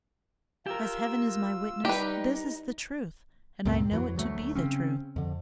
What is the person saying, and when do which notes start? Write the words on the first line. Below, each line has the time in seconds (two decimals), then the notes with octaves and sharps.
As Heaven is my witness, this is the truth, and I know it to be the truth.
0.66 F4 G4 A#4 E6
1.85 G3 D#4 G4 B4
3.65 C#2 G2 A#2 C4
3.91 F2 E3 F#3
4.16 D2 F#3 A3
4.55 C#3 C4 C#4
5.16 F2 D3